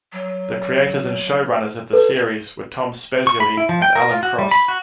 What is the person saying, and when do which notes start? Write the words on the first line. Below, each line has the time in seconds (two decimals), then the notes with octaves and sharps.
The creators and showrunners of the series were Tom Spezialy and Alan Cross.
0.13 F#3
1.93 A4 B4
3.27 C#6
3.40 B5
3.57 E4
3.69 F3
3.82 G5
3.95 A#4
4.11 F4
4.23 F#4
4.39 G3
4.51 B5
4.68 F#4